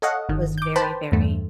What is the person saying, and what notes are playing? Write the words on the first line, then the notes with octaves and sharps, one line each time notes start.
was very, very
A4 C#5 D#5 F5 F#5
G1 D#3
D6 G6
B4 C5 G5 A5 B5
E2 G2 A3